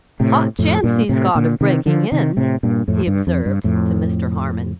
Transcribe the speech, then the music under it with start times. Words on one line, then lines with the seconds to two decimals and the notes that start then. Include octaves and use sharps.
"Hot chance he's got of breaking in," he observed to Mr. Harmon.
0.20 A2 C3
0.59 F2 A2
0.84 G2 A#2
1.09 A2 C3
1.35 A#2 D3
1.61 C3 D#3
1.86 D3 F3
2.12 C3 D#3
2.37 A2 C3
2.63 G2 A#2
2.88 F2 A2
3.07 G2
3.27 F2
3.46 G2
3.64 F2 A2